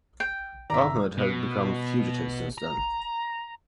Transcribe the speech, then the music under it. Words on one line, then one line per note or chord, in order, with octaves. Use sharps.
Ahmed had become fugitive since then.
G5
G1 D#3 D5 E5 A#5
B2
A#5